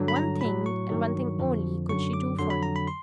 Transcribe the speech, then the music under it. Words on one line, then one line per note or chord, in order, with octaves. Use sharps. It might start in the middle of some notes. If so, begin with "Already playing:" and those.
One thing and one thing only could she do for him.
Already playing: G2 D3 F#3
B5
A#5
A2 F#3 B5
C#6
G2 D#3 F#3
F2 D3 F3
F#2 D3 F#3 C#6
D6
F2 D3 F#3 C6
B5
A#5
B5
C6